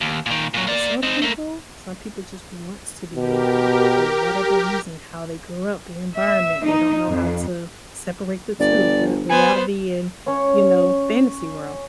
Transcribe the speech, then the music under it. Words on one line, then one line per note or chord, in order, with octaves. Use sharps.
But some people? Some people just wants to be angry, for whatever reason. How they grew up, the environment, they don't know how to separate the two, r reality and, you know, fantasy world.
D#2
A#2 D#3
A#2 F#3
A#3 D5
C4 D#4
A3 A#3
B2 G4 A#4
E5
D#4
F2
G1 D5
B3 C5 G#5
C#4 C#5